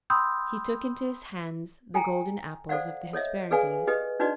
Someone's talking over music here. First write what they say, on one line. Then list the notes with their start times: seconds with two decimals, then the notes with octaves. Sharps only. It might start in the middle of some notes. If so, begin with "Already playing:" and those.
He took into his hands the golden apples of the Hesperides.
0.10 G5 B5 C6 D#6 E6 G6
1.94 A4 G5 G#5 A#5
2.69 A4 C5 D5 F5 F#5
3.13 A4 C#5 D#5 E5
3.51 G#4 A4 B4 D5 F5 G#5
3.87 G4 A4 B4 D#5
4.20 D4 D#4 F#4 B4 D5 D#5